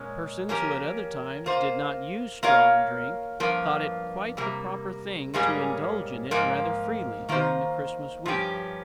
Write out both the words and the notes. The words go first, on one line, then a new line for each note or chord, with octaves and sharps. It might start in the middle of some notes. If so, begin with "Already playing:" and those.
Persons who at other times did not use strong drink thought it quite the proper thing to indulge in it rather freely during the Christmas week.
Already playing: A#2 G#3 C#4
F3 A#3 C#4 G4 A#4
A#3 F4 C5
A#3 F4 A#4 C#5 F5
G2 F3 A#3
C3 G3 A#3
G#2 G3 A#3 C#4 G#4
G#2 F3 A#3
D#3 A#3 F4 C5
G2 F3 C#4 G4